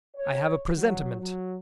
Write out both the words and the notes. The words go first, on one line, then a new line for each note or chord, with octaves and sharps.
I have a presentiment.
C#5
F#3
F#3